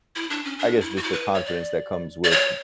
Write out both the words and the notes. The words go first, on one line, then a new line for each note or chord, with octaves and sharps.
I guess, just the confidence that comes with
E4
D4
C#4
D4
E4
F#4
E4
B4
C#5
D5
D5
C#5